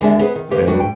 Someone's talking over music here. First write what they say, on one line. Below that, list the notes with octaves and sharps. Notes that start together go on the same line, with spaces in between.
that’s available.
D#2 D3 G#3 A#3 D4 E5
B3 G#4 B4
D#3
D3 D#3 A#3 G4 B4
D#3 G3 B3 D4 F#4
G#2 G5